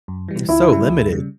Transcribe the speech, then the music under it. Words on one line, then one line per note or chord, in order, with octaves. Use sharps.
And so limited,
F#2
E3 G3
D2 E4
C#3 G3
D2
C#3 G3